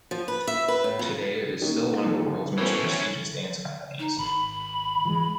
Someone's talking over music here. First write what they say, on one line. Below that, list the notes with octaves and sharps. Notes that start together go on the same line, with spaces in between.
Today it is still one of the world’s most prestigious dance companies.
F3
B4
E5
B4
A2
F2
D#3 A#3 C#4 D#4 G4
G#2 F3 A4
F#2 A2 E3 B3 C#4 B4 C5
D#4
G#1 B5
E3 F3 G#3